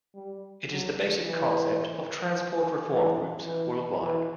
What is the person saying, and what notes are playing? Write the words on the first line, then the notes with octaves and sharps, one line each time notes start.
It is the basic concept of transport reform groups worldwide.
G3
F#3
E3
E3
E3
E3